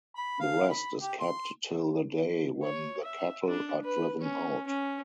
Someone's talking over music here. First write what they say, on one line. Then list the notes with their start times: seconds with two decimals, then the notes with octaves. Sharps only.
The rest is kept till the day when the cattle are driven out.
0.15 B5
0.40 F5
0.69 B5
1.01 G4
1.20 C6
2.63 C#5
3.04 E5
3.47 D4
3.84 B4
4.22 C#4
4.67 C#4